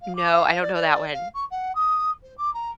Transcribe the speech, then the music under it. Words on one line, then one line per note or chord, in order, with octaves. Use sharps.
No, I don't know that one.
F5
D6
F5
D5
D5
F5
C#6
F#5
D#6
C5
D6
A#5